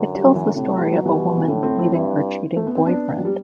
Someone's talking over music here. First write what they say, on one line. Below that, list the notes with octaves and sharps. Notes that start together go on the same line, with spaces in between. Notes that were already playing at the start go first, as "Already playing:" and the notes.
It tells the story of a woman leaving her cheating boyfriend.
Already playing: F#2 D3
G3
F#3
E3
D3
A2 C3
G3
F#3
B2 E3 G3
E3
A2 D3
A3 C4
C4 E4
G2 C4 E4
A3
B3
C4
B3 D4
F#3
G3